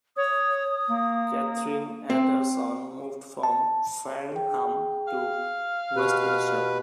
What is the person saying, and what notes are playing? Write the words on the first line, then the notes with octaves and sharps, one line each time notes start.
Catherine and her son moved from Farnham to Westminster.
C#5 D#6
A#3
C4
A5
G#4 G5
F5
B2 G4 B4 C#6